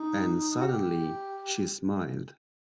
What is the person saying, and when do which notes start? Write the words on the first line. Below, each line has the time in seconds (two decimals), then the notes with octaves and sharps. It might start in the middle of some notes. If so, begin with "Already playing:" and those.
And suddenly she smiled.
Already playing: D#4
0.61 F#4
0.67 G4